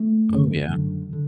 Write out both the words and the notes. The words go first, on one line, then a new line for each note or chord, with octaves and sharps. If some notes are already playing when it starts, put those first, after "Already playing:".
Oh, yeah.
Already playing: A3
F#2 D3
F#2 D3
D3